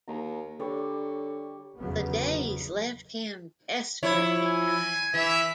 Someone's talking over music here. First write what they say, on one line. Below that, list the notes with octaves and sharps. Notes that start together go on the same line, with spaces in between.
The days left him desperately tired.
D#2 A#5
D3 G3 C#5 D5
G1 E2 C#3 F#3 B3
F3 E4 C#5
G#5
E3 E5